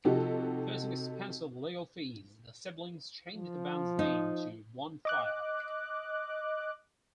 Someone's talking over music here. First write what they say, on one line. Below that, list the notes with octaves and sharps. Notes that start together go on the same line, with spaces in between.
Facing expensive legal fees, the siblings changed the band's name to Blondfire.
C3 F3 D#4 F#4 G4 A4
F3
D#4
D#5 D6 F#6